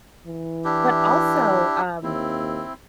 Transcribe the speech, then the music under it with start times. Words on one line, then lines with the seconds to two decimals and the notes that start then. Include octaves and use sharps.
But also, um
0.27 E3
0.64 D4 E4 G4
2.03 D#2 C4 E4